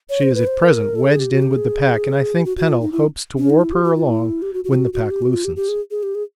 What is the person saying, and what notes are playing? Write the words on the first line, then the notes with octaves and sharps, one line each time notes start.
She is at present wedged in with the pack, and I think Pennell hopes to warp her along when the pack loosens.
C#5
C5
B4
C5
A#4
A4
G#4
G4
F#4
G4
G#4
G4
F#4
F#4
F4
D#4
E4
C#4
D#4
E4
G4
F#4
F4
E4
G4
F#4
F#4
F4
F#4
F#4
G4
F#4
F4
G4
G4
G#4
G#4
G4
G#4